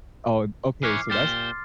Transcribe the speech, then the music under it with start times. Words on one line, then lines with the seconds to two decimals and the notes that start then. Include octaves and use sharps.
Oh, an okay, so that's
0.83 E3 B4 C#5 D6 F6 C7
1.10 A#2 G4 C5 C6 F6 A6